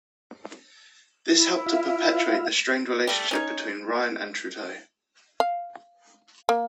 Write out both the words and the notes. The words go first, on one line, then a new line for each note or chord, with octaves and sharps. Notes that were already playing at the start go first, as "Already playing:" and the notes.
This helped to perpetuate the strained relationship between Ryan and Trudeau.
E4
F4 E5 F5
G3 A3
C#4 D#4 C#5
F5
A#3